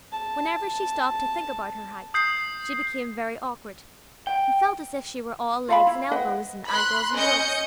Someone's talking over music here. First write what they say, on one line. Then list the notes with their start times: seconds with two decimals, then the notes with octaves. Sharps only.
Whenever she stopped to think about her height she became very awkward, and felt as if she were all legs and elbows, and angles and joints.
0.12 A5
2.14 D#6 G6 C7
4.27 G5
5.68 F4 F5 B5
5.87 E4
6.11 B4 D#5 F#5 G5
6.69 B5 C6 F#6
7.15 C#4 D#5 G6 C#7